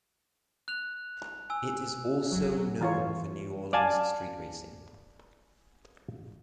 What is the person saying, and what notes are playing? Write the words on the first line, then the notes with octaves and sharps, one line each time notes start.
It is also known for New Orleans street racing.
F#6 F7
G#5 E6
F#3
E3 F4 C#5
D5 F5 G#5 A5